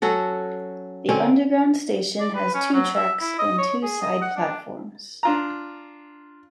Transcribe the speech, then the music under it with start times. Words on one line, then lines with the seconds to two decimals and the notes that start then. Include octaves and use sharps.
The underground station has two tracks and two side platforms.
0.02 F#3 C#4 F#4 A4
1.09 D3 C4 C#4
2.20 D5
2.35 B4
2.54 C#4
2.74 F#3
2.96 E5
3.20 E4
3.39 D#5
3.58 C#5
3.83 G#4
4.02 D#5
4.22 F#5
4.37 D4
5.23 D4 F4 A#5